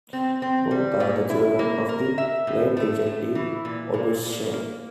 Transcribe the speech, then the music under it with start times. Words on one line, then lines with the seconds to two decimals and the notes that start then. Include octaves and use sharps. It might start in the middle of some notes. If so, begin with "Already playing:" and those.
Both are the children of the late Richard D. Obenshain.
0.13 C4
0.42 C4
0.71 G3
1.00 A#2
1.30 E4
1.59 A#3
1.89 A#4
2.18 E5
2.47 A2
2.77 A3
3.06 A2
3.35 E3
3.65 A#2
3.94 A#2
4.24 A#2
4.53 A#3